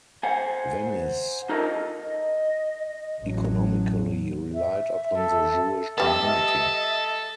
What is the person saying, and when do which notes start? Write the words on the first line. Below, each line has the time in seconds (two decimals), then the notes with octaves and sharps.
Venice economically relied upon the Jewish community.
0.23 C5 F#5 G#5
1.49 D#4 F4 A4 A#4 D#5
2.04 D#5
2.85 D#5
3.22 A1 F#3
4.54 E5
5.16 A4
5.98 G3 B3 A4 D#5 E5 A6